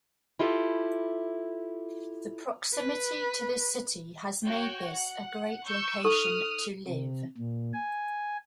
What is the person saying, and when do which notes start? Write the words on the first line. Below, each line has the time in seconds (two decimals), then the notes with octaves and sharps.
The proximity to the City has made this a great location to live.
0.39 E4 F4 G4 A4
2.74 B4
4.46 F#4 C#5 G5
4.88 F#5
5.68 C#6 E6 G6
6.04 D#4 A4 C#6 D#6 F6 F#6
6.88 C3
7.38 A#2
7.74 G#5